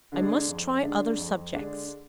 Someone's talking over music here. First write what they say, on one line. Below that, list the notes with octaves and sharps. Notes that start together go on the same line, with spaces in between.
"I must try other subjects."
D3 G#3 D4
F2
D3 G#3 D4
F2
D3 G#3 D4